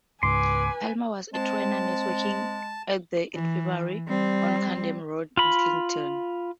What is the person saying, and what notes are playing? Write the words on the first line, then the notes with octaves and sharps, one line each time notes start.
Palmer was a trained nurse working at The Infirmary on Camden Road, Islington.
C#2 G#2 B4 G#5 C6 D6
G#3 C4 A5
E3
G3 C4
F4 B5